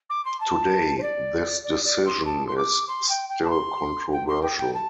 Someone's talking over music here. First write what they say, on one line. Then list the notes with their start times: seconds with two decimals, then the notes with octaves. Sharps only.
Today, this decision is still controversial.
0.09 D6
0.25 C6
0.40 A5
0.98 C5
1.02 D5
1.64 D5
1.84 D5
2.05 C6
2.26 A5
2.46 C6
2.57 D6
2.88 C6
3.09 G5
3.29 G5
3.44 A5
3.50 C6
4.12 G5
4.27 C6
4.42 G5
4.58 G5
4.74 A5